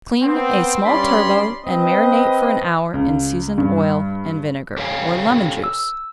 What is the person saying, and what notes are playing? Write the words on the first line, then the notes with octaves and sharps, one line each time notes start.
Clean a small turbot and marinate for an hour in seasoned oil and vinegar or lemon-juice.
B3 C4
G2 C#4 D5 B5 C6
C4 B4 D#5
C#2
G2
G4 A4 C#5 F5 G5 G#5
E6